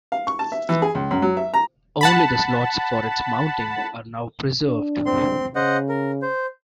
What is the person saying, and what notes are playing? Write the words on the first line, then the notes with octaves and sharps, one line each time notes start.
Only the slots for its mounting are now preserved.
F5
C#6
A5
E5
E3
G#4
C#2
F#2
F#3
E5
A#5
F#5 A5 B5
D4
C4 C6
C#3 C5 D#5 F#5
A#4
C5